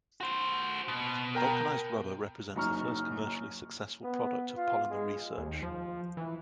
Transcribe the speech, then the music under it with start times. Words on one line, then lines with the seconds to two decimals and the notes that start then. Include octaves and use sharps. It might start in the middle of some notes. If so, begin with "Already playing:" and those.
Vulcanized rubber represents the first commercially successful product of polymer research.
0.21 F#4 C5
0.88 B2
1.35 A#4 G5 A#5
2.55 F#1 F#2 D#4 A#5 C#6 F6
4.03 B3
4.57 F4
4.90 G#3
5.38 D#2
5.62 F3
6.17 E3